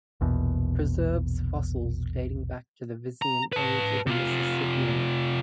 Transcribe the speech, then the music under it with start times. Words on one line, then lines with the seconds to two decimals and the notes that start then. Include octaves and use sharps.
It preserves fossils dating back to the Visean Age of the Mississippian.
0.21 A#1 E2 B2
3.22 A#5
3.53 B4 A5
4.07 C3 F4